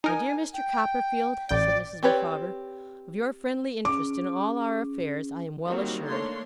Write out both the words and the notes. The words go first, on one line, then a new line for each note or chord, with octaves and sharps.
'My dear Mr. Copperfield,' said Mrs. Micawber, 'of your friendly interest in all our affairs, I am well assured.
D#4 A#4 G#5
G5
A1 D5 G5
C4 G4 B4 C#5 D5
C#4 G#4 D6
D#3 F#3 G3 A#3 C4 F#4
A3 A#3 D4 C#5 C6